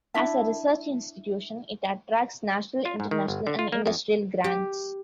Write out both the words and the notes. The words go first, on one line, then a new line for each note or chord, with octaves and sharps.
As a research institution it attracts national, international, and industrial grants.
D4 E4 E5 A5
F4
G#2
D#3
G1
D3
F4
A#3
F2
G4